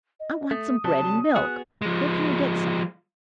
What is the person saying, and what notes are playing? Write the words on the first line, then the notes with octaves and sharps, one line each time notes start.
"I want some bread and milk. Where can I get some?"
D#5
A3 D#6
C3 F#3 G3 A5
B3 F#4 G#4 F#6
F3 G#3